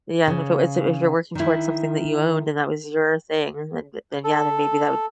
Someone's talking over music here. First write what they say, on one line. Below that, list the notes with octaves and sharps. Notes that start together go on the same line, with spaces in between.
Yeah. If it was if you're working towards something that you owned and that was your thing, then then then, yeah, then maybe that would
C#3
D#3 E4
A4